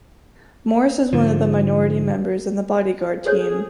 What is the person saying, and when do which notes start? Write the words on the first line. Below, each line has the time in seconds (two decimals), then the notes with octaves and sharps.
Morris is one of minority members in the Bodyguard Team.
1.13 G#2 D3 F3
3.26 G#4 A4 C5 C#5